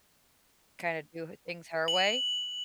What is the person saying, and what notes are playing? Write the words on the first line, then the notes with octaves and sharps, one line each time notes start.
kinda do h things her way?
F#7